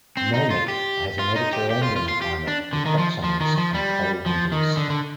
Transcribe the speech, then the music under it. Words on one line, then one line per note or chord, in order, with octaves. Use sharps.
Melnik has a Mediterranean climate with hot summers and cold winters.
C4
D#4
F4
G4
F4
D#4
G4
G4
F4
F4
F4
G4
D4
D3
D#3
F3
F3
D#3
F3
G3
F3
D#3
D3
D3